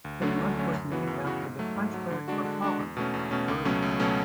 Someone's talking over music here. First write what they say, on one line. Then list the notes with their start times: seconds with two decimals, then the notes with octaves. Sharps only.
The month was named after the French word for fog, "brume".
0.05 D2
0.22 D3 F#3 A3 C#4
0.39 D2
0.56 D3 F#3 A3 C#4
0.73 F#2
0.90 C#3 E3 B3 F#4
1.07 F#2
1.25 C#3 E3 B3 F#4
1.42 G#2
1.59 F#3 A3
1.76 G#2
1.94 F#3 A3
2.11 D3
2.28 G#3 D4 F#4
2.45 D3
2.62 G#3 D4 F#4
2.79 E2
2.97 B2 A3 C#4
3.14 E2
3.31 B2 A3 C#4
3.48 C#2
3.65 B2 F#3 A3 C#4
3.82 C#2
3.99 B2 F#3 A3 C#4